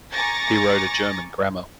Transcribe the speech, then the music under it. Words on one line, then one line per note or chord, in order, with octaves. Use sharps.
He wrote a German grammar.
G#5 A#5 C#6 D6 A6 A#6